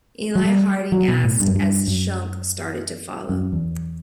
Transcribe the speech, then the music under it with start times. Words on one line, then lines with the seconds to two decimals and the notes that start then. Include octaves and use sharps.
Eli Harding asked, as Shunk started to follow.
0.35 F#3
0.45 G3
0.92 F#3
1.08 B2
1.24 A2
1.40 G2
1.47 F#2
1.55 G2
1.87 F#2
3.29 F#2
3.52 E2